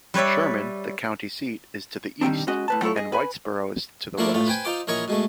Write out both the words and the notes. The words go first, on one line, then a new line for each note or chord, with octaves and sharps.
Sherman, the county seat, is to the east, and Whitesboro is to the west.
G3 B4 C#5 D5 E5
D#3 G3 A#3 C4 D4
G#3 C#4 F#4 D#5
A2 B4 A5
F#3 A3 E4 F4 A4 C#5
G#4 D#5
B4 G#5 B5
F3 A3 A#3 D4 E4 A#4
A2 A3 F4
B4 C5 G5 G#5
D#4 F4 C5 D6
A#1 E3 A#4 C#5 D#5 C#6
B2 G#3 A3